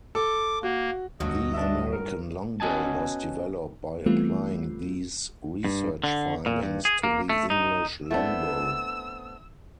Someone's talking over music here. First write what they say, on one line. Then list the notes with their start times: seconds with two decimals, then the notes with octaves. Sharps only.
The American longbow was developed by applying these research findings to the English longbow.
0.15 A4 D6
0.63 A#3 F#4
1.20 D2 G2 F#3 D#5
1.54 D4 E5
1.93 A#4
2.60 B3 C#4 F#4 D#5 G#5 A5
4.06 E3 G3 A3 B3 C4 F4
5.65 G2
6.04 D3
6.46 A#2
6.63 G2
6.85 G#4
7.03 A#3
7.29 A3
7.50 D#4
8.11 A3 B3 C4 D4 E4 E6